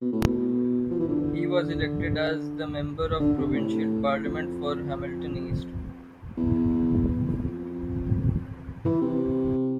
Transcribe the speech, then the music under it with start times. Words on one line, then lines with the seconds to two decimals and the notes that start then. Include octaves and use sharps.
He was elected as the Member of Provincial Parliament for Hamilton East.
0.02 B2
0.13 A2
0.24 B2
0.91 F3
1.00 E3
1.08 D3
3.20 D3
3.38 C3
3.55 A2
4.25 F2
6.37 E2
7.43 F2
8.85 E3
9.02 C3